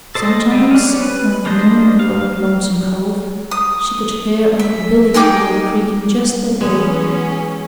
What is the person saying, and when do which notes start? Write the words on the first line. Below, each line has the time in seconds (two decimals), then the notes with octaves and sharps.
Sometimes, when the wind blew up Lonesome Cove, she could hear Uncle Billy's wheel creaking just that way.
0.15 A4 C5 D5 D#5 A5
0.51 G3 G#3 C4
0.71 C#4 D4
0.94 G3 B4
1.45 A#3 D4 C5 D#5
1.99 F5
3.51 D#6
4.59 E5
5.14 D#4 G#4 G5 D6
6.61 E3 F#3 G#3 B3 C#4 G#4